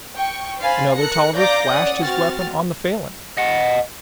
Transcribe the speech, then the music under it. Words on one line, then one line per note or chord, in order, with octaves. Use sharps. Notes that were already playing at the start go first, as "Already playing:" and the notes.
Another Tolliver flashed his weapon on the Falin.
G5 C#6
C5 F5 G#5 B5 A6
A4 A#4 F#6 A#6 C#7
D5 F5 A#5 D6 G6 A#6
C#4 D5 F#5 D#6
C4 F#4 F6 A6
D#5 F#5